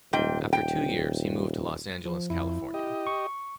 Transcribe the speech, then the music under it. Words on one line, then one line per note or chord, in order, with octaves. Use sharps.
After two years, he moved to Los Angeles, California.
D#1 G#2 G5
G5
F3
F2 E4
G4 D#5
C#6